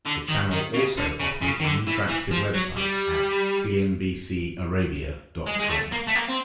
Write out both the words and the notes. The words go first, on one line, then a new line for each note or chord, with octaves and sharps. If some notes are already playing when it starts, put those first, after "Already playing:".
The channel also offers an interactive website at cnbcarabia dot com.
D3
D#3
D#3
C#3
D3
C#3
C#3
D#3
D3
E3
E3
F3
F#3
G3
G#3
G#3
A3
A#3
A3
A#3
C4